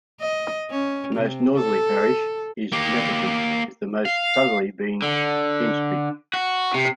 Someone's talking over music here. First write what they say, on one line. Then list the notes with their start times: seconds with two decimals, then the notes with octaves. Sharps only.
The most northerly parish is Mapperton with the most southerly being Henstridge.
0.21 D#5
0.71 C#4
1.15 C3
1.58 A4
2.72 A#3 G4
4.05 F5
5.02 D3
6.34 F#4
6.74 C3